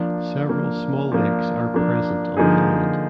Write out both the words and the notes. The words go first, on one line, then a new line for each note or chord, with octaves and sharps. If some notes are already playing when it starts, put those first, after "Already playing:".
Several small lakes are present on the island.
Already playing: F3 A#3 D4
F3 A#3 D4
F3 A#3 D4
F3 A#3 D4
D3 F3 A#3 D#4 G#4